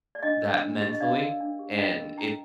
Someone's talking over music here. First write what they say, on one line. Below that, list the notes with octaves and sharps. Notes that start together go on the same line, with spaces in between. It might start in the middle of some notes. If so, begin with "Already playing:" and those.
that mentally and it's
D5
D4 D#5
A#4
D4
G4
D#5
D4 D5 F5
A#4
D4
G4
D4 D#5 G5
A#4
D4 G5 A#5